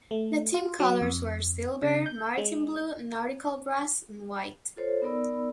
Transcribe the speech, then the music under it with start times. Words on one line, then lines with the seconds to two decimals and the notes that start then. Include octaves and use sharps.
The team colours were silver, maritime blue, nautical brass, and white.
0.11 A3
0.54 F4
0.80 F#3
1.01 F2
1.83 C#3
2.06 G6
2.38 G#3
4.76 F4 A4 C5 C#5
5.02 B3 D#4 A#4 D5 B5 E6